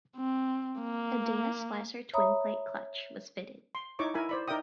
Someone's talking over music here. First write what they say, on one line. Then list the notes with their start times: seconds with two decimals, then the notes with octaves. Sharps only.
A Dana Splicer twin plate clutch was fitted.
0.17 C4
0.80 A#3
2.13 C#5 E5 A#5 B5 D#6
3.75 C6
3.99 D#4 E4 C#5 C#6 D6
4.14 E4 A#4 G#5 B5
4.29 C5 D5 B5
4.48 D#4 A#4 D5 E5 G5 D#6